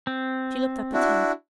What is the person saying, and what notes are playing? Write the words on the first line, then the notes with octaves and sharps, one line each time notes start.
She looked up at him.
C4
D4 E4 F#4